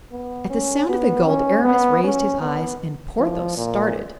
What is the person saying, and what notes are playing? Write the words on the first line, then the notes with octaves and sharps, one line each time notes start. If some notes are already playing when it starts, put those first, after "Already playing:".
At the sound of the gold Aramis raised his eyes and Porthos started.
B3
C#4
B3
C#4
B3
C#4
B3
F3
A#2